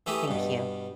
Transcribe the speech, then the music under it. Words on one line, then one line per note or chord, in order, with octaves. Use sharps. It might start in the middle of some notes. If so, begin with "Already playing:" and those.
Thank you.
E3 A3 E4 G4 G#4
G2 B2